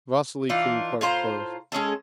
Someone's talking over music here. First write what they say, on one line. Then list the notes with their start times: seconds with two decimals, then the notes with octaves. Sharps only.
Vasily came quite close.
0.49 E3 D4 D#4 F4
1.01 A2 F4 C5 A#5
1.72 G#3 C#4 G#4 A4